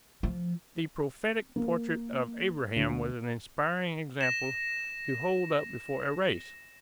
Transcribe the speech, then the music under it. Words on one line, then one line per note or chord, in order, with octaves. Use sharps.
The prophetic portrait of Abraham was an inspiring example to hold up before a race.
F3
A#3
D2
A#6 E7